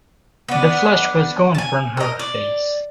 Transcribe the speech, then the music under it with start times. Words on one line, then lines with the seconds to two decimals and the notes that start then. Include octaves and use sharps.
The flush was gone from her face.
0.49 B3 D4
1.55 G#5 A5
1.97 A#4 D#5
2.19 D5